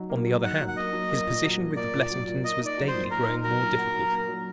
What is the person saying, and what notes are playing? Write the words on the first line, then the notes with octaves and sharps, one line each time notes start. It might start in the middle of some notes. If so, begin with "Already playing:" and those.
On the other hand, his position with the Blessingtons was daily growing more difficult.
Already playing: F#3 D#4
A#3
F#3
D#4 F#5
F#3
F#5
A#3 D#5
F#3
A#3
A#2
F#3
A#2
A#3 D5
A#2
F#3
A#2
A#3 D#5
D#4 D5
F#3
C5
A#2
A#3 A#4
D#4
F#3 A#4
A#2
F#4
F#3
A#3
F#3